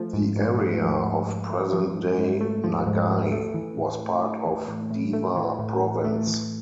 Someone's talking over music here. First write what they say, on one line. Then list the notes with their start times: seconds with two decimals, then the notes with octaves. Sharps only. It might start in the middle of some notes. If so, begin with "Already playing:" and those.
The area of present-day Nagai was part of Dewa Province.
Already playing: F3 A3
0.13 G#2
0.36 G#2
0.59 A3
0.82 F3
1.04 G#2
1.27 G#2
1.50 A3
1.73 F3
1.95 G#2
2.18 G#2
2.41 A3
2.64 F3
2.86 G#2
3.09 G#2
3.32 A3
3.54 E3
3.77 A2
4.00 A2
4.23 A3
4.45 E3
4.68 A2
4.90 A2
5.13 A3
5.36 E3
5.59 A2
5.82 A2
6.05 A3
6.27 E3